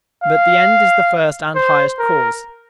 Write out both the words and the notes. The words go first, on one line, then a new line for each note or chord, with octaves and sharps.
But the end is the first and highest cause.
F5
C5
A#4